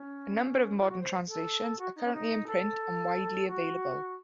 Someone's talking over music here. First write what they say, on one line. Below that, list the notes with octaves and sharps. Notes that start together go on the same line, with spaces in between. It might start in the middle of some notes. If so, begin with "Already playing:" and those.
A number of modern translations are currently in print and widely available.
Already playing: C#4
F4
F#4
C5
A4
F#4
D#4
C#4
D#4
A4
F#4